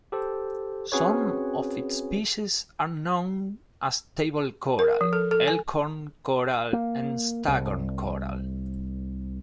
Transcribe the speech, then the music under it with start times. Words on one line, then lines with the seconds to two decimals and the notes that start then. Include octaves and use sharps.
Some of its species are known as table coral, elkhorn coral, and staghorn coral.
0.12 G4 A4 C5
0.92 C4 C#4 F#4 G#4 B4 C#5
4.79 A#4
5.01 F3
5.13 A4
5.31 A4
5.48 G#5
6.73 A#3
7.48 C2